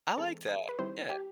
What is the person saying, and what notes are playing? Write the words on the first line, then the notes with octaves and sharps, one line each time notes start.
I like that. Yeah.
E3 G#3 C4 A4
G#4
B4
D#3 G3 C4 E4 C5
G4